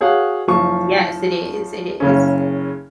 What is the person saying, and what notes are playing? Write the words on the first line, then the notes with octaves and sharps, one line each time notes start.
Yes, it is, it is.
F#4 G#4 C#5 F5 F#5
F#1 F3 C#6
F#1 C#3 C#4